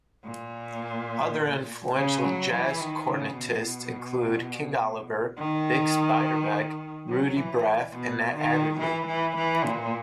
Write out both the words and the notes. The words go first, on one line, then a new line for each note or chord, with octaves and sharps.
Other influential jazz cornetists include King Oliver, Bix Beiderbecke, Ruby Braff and Nat Adderley.
A#2
C#3
F#3
E3
D#3
C#3
B2
D#3
F#3
E3
B2
D#3
E3
E3
E3
A#2